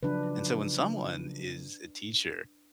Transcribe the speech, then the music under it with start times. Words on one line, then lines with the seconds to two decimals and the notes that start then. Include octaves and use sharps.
and so, when someone is a teacher,
0.03 C#3 F3 F#3 D4 B4